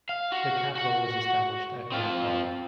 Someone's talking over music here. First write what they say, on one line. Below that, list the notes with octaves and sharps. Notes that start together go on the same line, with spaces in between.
The capital was established at Yagbum.
F5
F#4
F#4 F#5
C4 F4